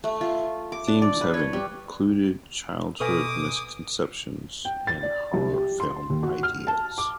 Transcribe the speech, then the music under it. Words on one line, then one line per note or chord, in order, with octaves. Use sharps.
Themes have included "Childhood Misconceptions" and "Horror Film Ideas".
A3
F4
D6
D4
D5
B4
C#5
G3
B2 A4 B4 G#5 D6 D#6
G5
A6
D5
C2
G4
C6
D#2
F#4
F6
A5
D6